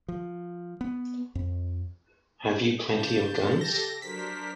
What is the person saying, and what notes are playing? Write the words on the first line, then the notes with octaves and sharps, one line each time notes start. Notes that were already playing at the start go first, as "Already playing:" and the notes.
Have you plenty of guns?
F3
B3
F2
C#3 A5 G6
G4 A4 A#6
F#3 D4 A#4 C5 B6